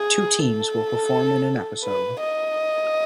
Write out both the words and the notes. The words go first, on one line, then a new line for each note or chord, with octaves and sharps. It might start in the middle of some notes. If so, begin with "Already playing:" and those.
Two teams will perform in an episode.
Already playing: G#4
A4
B4
D#5